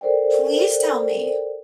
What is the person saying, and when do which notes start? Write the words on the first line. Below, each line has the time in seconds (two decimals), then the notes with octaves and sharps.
Please tell me.
0.01 A4 A#4 C5 D5 G5